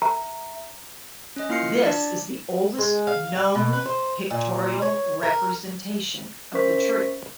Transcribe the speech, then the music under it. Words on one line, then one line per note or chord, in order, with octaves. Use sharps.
This is the oldest known pictorial representation of the tree.
E5 A#5
C#4 D#5
A#3 E4 F4 F6 C7 C#7
D4 D5
G#3
F5
G3
B2
B4
C5
A#2
C#5
A#4
C#4 A#4 C5 E5 C#6 B6